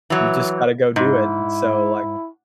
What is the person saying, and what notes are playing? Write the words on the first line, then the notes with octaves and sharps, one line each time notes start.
you just gotta go do it, and so, like,
E3 F#3
G#2 E4